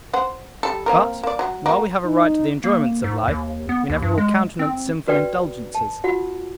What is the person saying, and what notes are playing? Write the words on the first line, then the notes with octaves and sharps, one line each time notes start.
But, while we have a right to the enjoyments of life, we never will countenance sinful indulgences.
C5 F#5
G3 A4
A#3 C4 A#4
A#3 D5
F#3 F#4
A#3 F#4
D#4
A#3
G#2
D#2
B3
D#2
G2
G#3
C4
F#4 B4 D5 G5
A5
F4 F#4 F#5